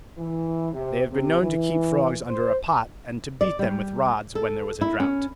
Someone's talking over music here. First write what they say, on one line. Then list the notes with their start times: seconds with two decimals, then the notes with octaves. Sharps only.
They have been known to keep frogs under a pot and to beat them with rods when there was a drought.
0.17 E3
0.73 C3
1.10 C3
1.41 E3
2.27 C5
3.41 D5
3.59 G3
4.35 A4
4.81 E4
5.00 C#4